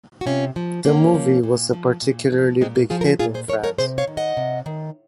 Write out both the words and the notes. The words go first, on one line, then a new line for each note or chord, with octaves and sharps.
The movie was a particularly big hit in France.
F#4
C3 C#4 F4
F3
C3 A#3 C#4
F3
A#2
F3
A#2
F3
A#2 G#3 C4
A#3
F3 F4 G#4
A#4
F4 G#4
A#2 F4 G#4
G#4 C5
F3 A#4 C#5
A#4 C#5
C3 G#4 C5
C#5 F5
D#3
D#5 F#5
C3
D#3